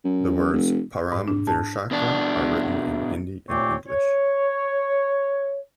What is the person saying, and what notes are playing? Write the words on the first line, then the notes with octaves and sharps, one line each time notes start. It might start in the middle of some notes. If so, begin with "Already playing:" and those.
The words "Param Vir Chakra" are written in Hindi and English.
F#2
F1
G#2
D4
A5
B2 D4
D#2 A#2 A3 C4 C#5 D6
C#5